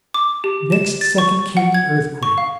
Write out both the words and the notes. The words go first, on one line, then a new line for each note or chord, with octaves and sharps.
Next second came the earthquake.
D6
G4
E7
A6
C#6
F#5
G#6
C#6
F5